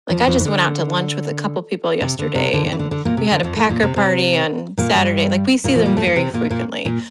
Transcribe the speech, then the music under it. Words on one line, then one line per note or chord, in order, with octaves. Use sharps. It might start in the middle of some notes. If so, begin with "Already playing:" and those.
like, I just went out to lunch with a couple people yesterday and we had a packer party on Saturday, like we see them very frequently,
F2 F3
F2 F3
E3
D3
C3
D3
C3
D3
D3
E3
D3
D3
A#2 A#3
C3
D3
F2 F3
A2 A3
A#2 A#3
C3 C4
C3 C4
A#2 A#3
G2 G3
A#2 A#3
F3
G3
A3
A#3
C3 C4
A#2 A#3
A#2 A#3
A#2 A#3